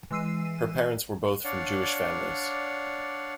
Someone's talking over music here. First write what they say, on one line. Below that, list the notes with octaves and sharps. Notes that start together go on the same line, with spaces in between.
Her parents were both from Jewish families.
E3 G#3 E6 C7 D#7
D4 C#5 D5 F5 F#5